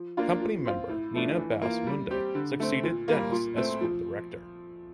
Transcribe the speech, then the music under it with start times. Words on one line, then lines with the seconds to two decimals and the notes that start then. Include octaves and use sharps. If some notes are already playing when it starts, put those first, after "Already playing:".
Company member Nina Bass Munda succeeded Dennis as school director.
Already playing: F3
0.17 A#3 D4 F4
0.40 F3
0.65 C4 F4
0.89 A2
1.14 F3 A3 D4
1.38 E3
1.62 A#3 F4
1.86 G3
2.10 C4 G4
2.35 D3
2.60 A3 C4
2.83 A#2
3.08 G3 A#3
3.32 A#2
3.56 A3 C4
3.81 F3